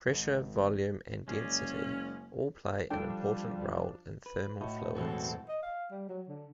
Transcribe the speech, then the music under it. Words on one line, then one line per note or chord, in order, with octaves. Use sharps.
Pressure, volume, and density all play an important role in thermal fluids.
G#1
F#1 G#3 C#4 G#4 D5
F3 G3 D4 A4 G5
B4
A2 D#4 F#4
E2 B2 F#3 G#3 C4 F#4 A4
D#5
F5
G3
F#3
D3